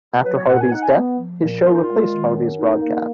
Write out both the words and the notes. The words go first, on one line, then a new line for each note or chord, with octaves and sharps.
After Harvey's death his show replaced Harvey's broadcasts.
F#3 B4
C#5
A#2 F#5
G#5
D#4 F#5
G#5
B3
F3
A#2
A#2 F4
D#4
F4
G#3
D#3
F#2
D#4
A#3